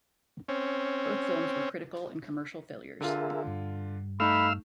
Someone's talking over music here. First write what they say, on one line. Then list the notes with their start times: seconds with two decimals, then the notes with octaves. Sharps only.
Both films were critical and commercial failures.
0.48 C4 C#4
3.01 D3 F4 G#4 A#4 E5
3.47 G2
4.20 A3 D#4 F5 B5 E6